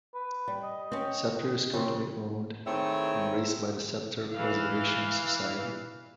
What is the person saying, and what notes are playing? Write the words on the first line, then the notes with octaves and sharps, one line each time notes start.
"Sceptre" is currently owned and raced by the Sceptre Preservation Society.
B4
G3
D#5
C4 C#4
C#3 C4
D#3 A3 C4 E4 G#4 C#5
E3 F5